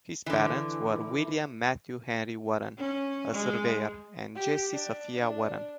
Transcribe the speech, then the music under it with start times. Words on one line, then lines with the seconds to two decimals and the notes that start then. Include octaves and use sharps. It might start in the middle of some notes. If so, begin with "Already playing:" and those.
His parents were William Matthew Henry Warren, a surveyor, and Jessie Sophia Warren.
0.26 D3 E3
2.78 C#4
3.33 G#3
4.35 G4
4.72 D4
5.16 D4